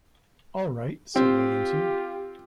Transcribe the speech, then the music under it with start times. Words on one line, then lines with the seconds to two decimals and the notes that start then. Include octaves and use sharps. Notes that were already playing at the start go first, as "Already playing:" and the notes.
"All right," said Williamson.
1.16 C4 F4 G4